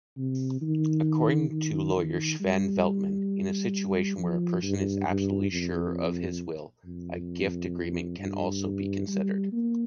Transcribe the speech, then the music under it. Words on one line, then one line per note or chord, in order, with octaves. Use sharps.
According to lawyer Sven Veltmann, in a situation where a person is absolutely sure of his will, a gift agreement can also be considered.
C3
D#3
D#3
D#3
G3
F3
G2
G2
F2
F2
G2
G3
A#3